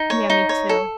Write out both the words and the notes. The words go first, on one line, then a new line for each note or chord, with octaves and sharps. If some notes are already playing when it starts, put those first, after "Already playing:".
Yeah, me too.
Already playing: D#4
C#5
D#4
C#5
A4